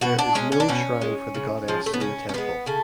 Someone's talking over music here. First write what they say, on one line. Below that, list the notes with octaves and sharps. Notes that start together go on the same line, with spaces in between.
There is no shrine for the Goddess in the temple.
B2 F#4
D4
G#3 C#4
C#4
D4
B2 C#4
G#3
C#3
F3 G#3
A3
B3
C#3 C#4
C#4
F3 G#3 B3
C#3 A3